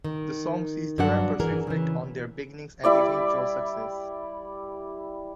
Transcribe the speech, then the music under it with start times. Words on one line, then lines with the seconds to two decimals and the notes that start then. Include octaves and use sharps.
The song sees the rappers reflect on their beginnings and eventual successes.
0.04 D#3
0.98 G2 F#3 D4 F#5
1.40 E3 G#4 A#4
1.67 C#3 E3
2.84 G3 E4 D5 D6